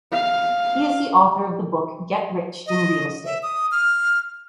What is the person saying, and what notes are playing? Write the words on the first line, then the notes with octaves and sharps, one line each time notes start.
He is the author of the book "Get Rich in Real Estate".
F5
D#5
E5
D#6
F6